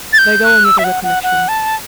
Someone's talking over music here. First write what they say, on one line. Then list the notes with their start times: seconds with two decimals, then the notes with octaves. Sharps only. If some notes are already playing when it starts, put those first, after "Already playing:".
They go on with their recollections.
0.13 A6
0.18 G6
0.44 F#6
0.64 E6
0.78 E5
0.84 F#5
1.04 F#5
1.23 F#5
1.48 A5